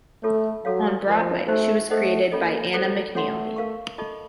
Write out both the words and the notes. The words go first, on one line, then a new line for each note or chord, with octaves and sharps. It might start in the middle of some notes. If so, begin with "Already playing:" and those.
On Broadway she was created by Anna McNeely.
A3 F4 A4 C#5
F#3 F#4 A4 C#5 F5
F3 F4 A#4 D#5
A3 D#4 F#4 C5
A3 A4 C5 D#5 F#5
A#3 C#4 F4 A4 D#5
F#3 F4 A4 C5
A3 C#4 A4 C#5 F#5 C6
A#4 F5 A5 C#6
F4 A4 D#5 A5 C#6